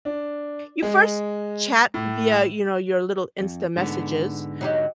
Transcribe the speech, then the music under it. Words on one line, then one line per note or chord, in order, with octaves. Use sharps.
You first chat via, you know, your little Insta messages.
D4
G#3
A2
E7
F2
G#2 D3 B3
F#3 D#4 G4